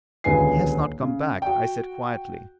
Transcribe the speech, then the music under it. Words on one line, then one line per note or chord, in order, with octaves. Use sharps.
"He has not come back," I said quietly.
D#1 C#2 D3 B4 G#5 C7
C#3
F#4 G5